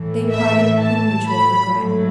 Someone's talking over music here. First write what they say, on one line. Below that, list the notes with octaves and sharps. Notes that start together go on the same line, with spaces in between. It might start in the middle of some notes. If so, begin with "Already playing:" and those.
They parted with mutual regret.
Already playing: A2 E3 A3
E5
A5
B5
G#2 F#3 A3